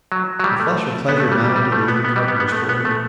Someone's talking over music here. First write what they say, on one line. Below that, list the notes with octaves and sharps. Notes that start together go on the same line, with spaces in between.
The flush of pleasure mounted to the young carpenter's forehead.
F#3
F#3
G3
A3
B3
A3
G3
G3
G3
A3
B3
B3
G3
B3
B3
A3
B3
A3